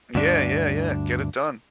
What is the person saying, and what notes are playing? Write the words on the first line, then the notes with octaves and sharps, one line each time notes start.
Yeah, yeah, yeah, get it done.
D2 G2 D4